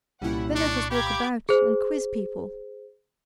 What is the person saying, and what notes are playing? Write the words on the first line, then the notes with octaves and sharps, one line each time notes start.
Then let us walk about and quiz people.
C2 A#2 G3 C#4 E4 F#5
D4 C#6
G4 F5 G5 A#5 B5 D6 G#6
G#4 C5